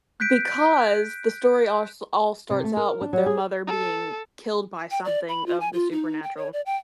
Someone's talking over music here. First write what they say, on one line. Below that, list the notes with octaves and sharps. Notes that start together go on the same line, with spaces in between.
because the story all s all starts out with their mother being killed by something of the supernatural
F#6 G6 B6 D7
C3
A3
A#4
D4
F#3
G#4
A4
G5
D5
B5
F4
G#5
F4
D#4
G5
C#5
D5
G5